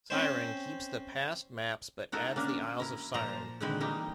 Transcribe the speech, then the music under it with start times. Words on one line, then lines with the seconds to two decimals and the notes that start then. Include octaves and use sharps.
Syren keeps the past maps but adds the isles of Syren.
0.10 C4 C#4 C5
2.12 D#4 F#4 A4 A#4
2.36 A#3 C#4 D4 A#4
2.80 E4 A#4
3.14 A#2 F3 C5 A5 A#5
3.61 A#2 D3 D#3 G#3 C4 B4
3.81 E3 G3 A#3 D#4